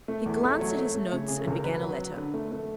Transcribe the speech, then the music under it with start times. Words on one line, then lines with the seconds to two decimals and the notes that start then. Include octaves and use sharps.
He glanced at his notes and began a letter.
0.08 A3
0.26 E2
0.44 A3
0.60 F#3 C#5
0.77 A3
0.95 A3
1.12 C#3
1.28 C#3 G#4
1.40 A4
1.47 C#2 A#4
1.64 F#3 B4
1.82 F#3
1.99 F#3
2.17 D3
2.34 A3
2.52 A3